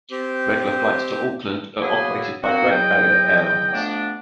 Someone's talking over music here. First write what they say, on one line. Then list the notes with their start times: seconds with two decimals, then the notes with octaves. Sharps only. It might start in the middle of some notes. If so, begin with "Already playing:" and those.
Regular flights to Auckland are operated by Great Barrier Airlines.
0.11 C4 G4
1.81 F#3 A#3 B3 E4 G#4
2.42 A#3 C4 D#4 F#4
2.69 E2 F#3 D#5 G5
3.72 F2 A3 B3 D4